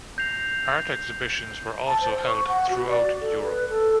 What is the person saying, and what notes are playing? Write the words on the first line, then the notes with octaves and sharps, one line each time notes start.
Art exhibitions were also held throughout Europe.
G6 A#6 C7 F7
A5
C5
C#6
F#5
F#4
D5
A4
B4
A4